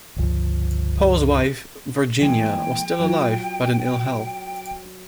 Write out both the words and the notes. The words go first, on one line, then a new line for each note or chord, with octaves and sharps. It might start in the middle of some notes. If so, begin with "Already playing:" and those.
Poe's wife, Virginia, was still alive, but in ill health.
G1 C#2 F3
E3 G#3 A#3 G5
F#3 F4